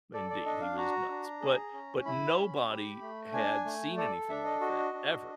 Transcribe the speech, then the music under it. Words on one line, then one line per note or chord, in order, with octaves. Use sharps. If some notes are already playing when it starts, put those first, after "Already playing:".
Indeed, he was nuts. But but nobody had seen anything like that, ever,
A4 D5
D5
D4 D#5
F5
F#4 A#5
D4
G#4
C#4
E4 B5
C#4
G4
A3
D4 G#5
A3
A4 D5
D4 E5
D#5
F#4 D#5
D4